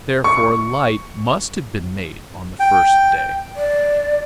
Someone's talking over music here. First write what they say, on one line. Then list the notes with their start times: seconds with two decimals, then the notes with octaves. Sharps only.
Therefore light must have been made on the first day.
0.24 C#6
2.60 G5
3.56 D5